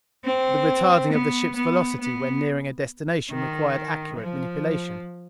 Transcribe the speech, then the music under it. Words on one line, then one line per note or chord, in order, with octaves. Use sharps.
But the retarding of the ship's velocity when nearing a destination required accurate manipulation.
C4
B3
B3
B3
D#3
F3